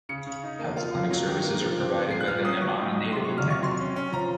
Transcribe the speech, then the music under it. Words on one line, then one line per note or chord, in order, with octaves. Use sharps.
Health clinic services are provided by the Nenana Native Clinic.
C#3 C#7
C#3
D#4
A#3
F4
F4
F#3
D#3
A#3
F3
C4
F3
A#2 C7
F#6
A#2 F6
C#4 D#6
F#3 C#6
D#4
F#3
C3 C6
C#6
F#3
F6
C3 C#6
F#3 C6
C#4
C#4
F3 A#5